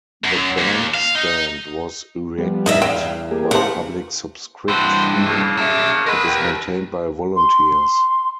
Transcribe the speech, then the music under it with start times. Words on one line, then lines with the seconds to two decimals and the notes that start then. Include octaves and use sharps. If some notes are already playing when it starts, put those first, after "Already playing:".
The bandstand was erected by public subscription and is maintained by volunteers.
0.24 F#2
0.58 D#2
0.94 F5
1.15 D#4
2.38 F3 G3 B3
2.66 G2 D#4 D#5 E5
2.82 E2 F5 G5
3.31 A#3 G4 G#4
3.51 C#3 E3 F3 F#5
4.68 G2 E3 F#4 C5
5.26 A2 C#3 A#3
5.57 F#3 E5
6.06 D3 G#3 A#4 B4
6.25 D#2
7.36 C6